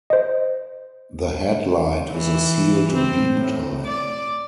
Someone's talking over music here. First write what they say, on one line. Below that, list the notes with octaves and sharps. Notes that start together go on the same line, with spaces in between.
The headlight is a sealed beam type.
C5 D#5
E3
C4
A2
D5